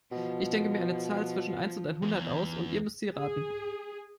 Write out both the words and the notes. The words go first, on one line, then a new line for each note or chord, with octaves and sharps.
Ich denke mir eine Zahl zwischen eins und einhundert aus und ihr müsst sie raten.
B2 F3
E2
G#4